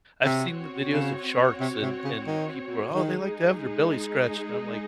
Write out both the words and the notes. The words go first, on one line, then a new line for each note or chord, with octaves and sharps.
I've seen the videos of sharks and and people are, "Oh, they like to have their belly scratched," and I'm like,
C3 C4 F#4 C#5
C#3
C3
C3
C#3
D#3
D#3 G#3 D#4 G#4